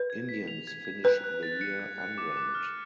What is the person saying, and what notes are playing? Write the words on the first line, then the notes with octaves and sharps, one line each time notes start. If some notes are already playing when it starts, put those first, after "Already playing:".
Indians finish the year unranked.
Already playing: B4
G#6
B6
F7
G#6
G#6
B4 F#6
F#6
A6
C#7
F#6
F#6
D6
D6
F6